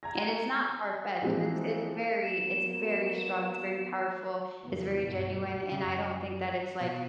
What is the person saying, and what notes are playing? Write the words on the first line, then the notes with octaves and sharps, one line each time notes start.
and it's not farfetched, it's it's very it's very strong, it's very powerful, it's very genuine, and I don't think that it's, like,
A#5 G#6 A#6
E3 F3 G#3 A#3 C4
F#3 A#3 B3 E7
F2 C#3 E3 B3
B1 G2 B2 D#3 F#3 A3
C#3
F#2
B2